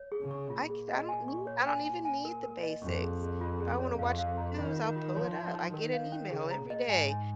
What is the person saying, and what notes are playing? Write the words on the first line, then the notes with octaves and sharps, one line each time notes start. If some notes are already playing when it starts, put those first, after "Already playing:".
I c I don't need I don't even need the basics. If I wanna watch the news, I'll pull it up. I get an email every day
Already playing: C#5
G#4
C#3
C#6
A#2 F4
G#4
D#5
G#5
C#6
C#5
G#5
G#5
G#5
A#4
A#4
D#5
F2 C#6
G#4
G#4
F4
G#4
C#5
F2 F5
F5
A#5
D#3 F4
F4
F4
F3 C#5
D#4
D#4
D#3 A#4
F5
C#4
C#3 G#4
A#5
A#2
D#5
G#2 G#5
G#5